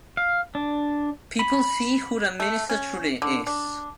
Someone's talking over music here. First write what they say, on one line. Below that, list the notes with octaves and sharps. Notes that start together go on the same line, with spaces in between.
People see who their minister truly is.
F5
D4
B5
A3
C#4
D3
D4